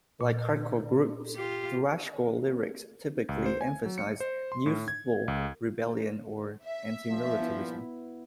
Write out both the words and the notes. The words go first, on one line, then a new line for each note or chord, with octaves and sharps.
Like hardcore groups, thrashcore lyrics typically emphasize youthful rebellion or antimilitarism.
A#2
F4 G4
C#2
C5
G#5
F#3
C#7
C5
C6
A2
G#6
C#2
E5
G2 A#2 F3
B3 E4